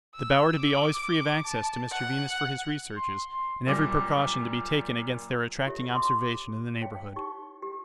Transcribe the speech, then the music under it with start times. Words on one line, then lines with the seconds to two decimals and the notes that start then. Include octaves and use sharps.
The Bower to be always free of access to Mr Venus for his researches, and every precaution to be taken against their attracting observation in the neighbourhood.
0.15 E6
0.60 D6
1.45 A5
1.92 F#5
2.97 C6
3.66 F#2 A#2 G3 D6 A#6
5.66 F4 G4 A4 C#5 E5
5.94 B5 C6 D6 D#6
6.81 C#5 F5 G5
7.16 D#4 G4 C#6
7.62 G4